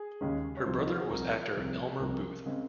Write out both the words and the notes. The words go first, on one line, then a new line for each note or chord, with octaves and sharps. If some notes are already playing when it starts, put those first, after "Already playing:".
Her brother was actor Elmer Booth.
Already playing: G#4
D#2 C#3 G#3 C#4
C#5
C2 C3 F3 C5
D#4
F4
F#4
G#4
C2 C3 F3 A#4
C2 C3 F3
C2 C3 F3 A#4
C#3 G#3 C4